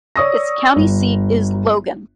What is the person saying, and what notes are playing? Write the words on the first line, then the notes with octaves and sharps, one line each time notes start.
Its county seat is Logan.
C#5 D5 C#6 D#6 E6 A#6
G1